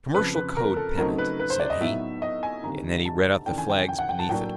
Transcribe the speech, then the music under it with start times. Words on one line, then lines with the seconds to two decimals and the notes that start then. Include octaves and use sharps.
"Commercial code pennant," said he; and then he read out the flags beneath it.
0.14 F2 C#3 F3 B4
0.35 B4
0.57 A#4
0.76 A4
0.98 C#3 F#3 A3 C4 D#4 A#4
1.18 B4
1.40 B4
1.50 C5
1.60 D5
1.70 D#5
1.81 A2 F#3 B3 D#4 E5
2.22 D#5
2.43 G#5
2.63 D2 C3 D#3 G3 A#5
3.05 A5
3.46 D#2 C#3 E3 A3 D4 G5
3.58 G#5
3.70 G5
3.88 G5
3.99 F#5
4.09 G5
4.19 A5
4.29 A2 F#3 A#3 D4 G5